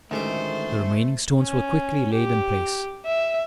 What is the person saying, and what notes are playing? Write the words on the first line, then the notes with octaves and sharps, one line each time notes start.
The remaining stones were quickly laid in place.
A1 D2 D#3 G#3 A3 C5 D6
C#4
G4
E5